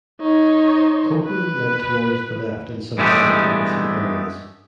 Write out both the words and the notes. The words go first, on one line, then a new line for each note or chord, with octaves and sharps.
Copeland leant towards the left in some other policy areas.
D#4 C#5
B4
G2 E3 G#3 A3 B3 G4